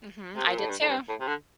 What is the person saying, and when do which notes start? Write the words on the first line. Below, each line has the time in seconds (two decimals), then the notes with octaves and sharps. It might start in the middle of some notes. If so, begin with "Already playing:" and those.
Mhm. I did too.
0.36 C3
0.47 A#2
0.58 A2
0.69 G2
0.81 A2
0.89 G2
1.09 A2
1.20 C3
1.27 D3